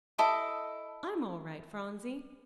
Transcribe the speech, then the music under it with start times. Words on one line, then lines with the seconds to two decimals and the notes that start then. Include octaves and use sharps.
I'm all right, Phronsie.
0.18 E4 A4 D#5 D6